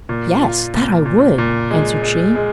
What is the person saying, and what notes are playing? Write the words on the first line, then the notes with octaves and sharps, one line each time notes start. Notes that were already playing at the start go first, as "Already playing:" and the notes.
'Yes, that I would!' answered she.
A#2
F4
A#2
A#2
A#2
G#3
G#3
G#3